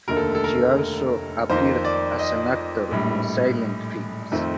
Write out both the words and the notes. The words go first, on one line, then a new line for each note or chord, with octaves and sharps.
She also appeared as an actor in silent films.
F1 D#2 D3 A3 A#4
A4
A4
A#4
F2 D#3 A#3 C5
D5
D#5
A#1 A2 G3
F2 D#3 A3 C4